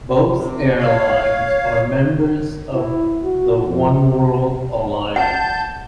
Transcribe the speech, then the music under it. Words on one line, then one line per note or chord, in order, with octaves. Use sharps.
Both airlines are members of the Oneworld alliance.
C3
C#5 F5
E4
F#4
F2
C3
F#5 A5 G6